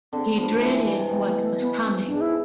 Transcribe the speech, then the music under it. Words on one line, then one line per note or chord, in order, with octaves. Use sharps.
He dreaded what was coming.
D3 C4
F3 B3
E3 A3
E3
E3 G#3
C3
B2 G#3
A3
G#3
A3
B3
C4
G#2 D4
E4